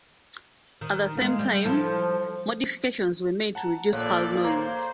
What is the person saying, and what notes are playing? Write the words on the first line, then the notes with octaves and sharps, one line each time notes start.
At the same time modifications were made to reduce hull noise.
D#3
G#3 A#3
G3
F3 E4 A4
F#5 A5 A#5
A#1 A#2 A#3 A4 C#5 D5 F#6
C5 C#5 F5 A#5 D6 G#6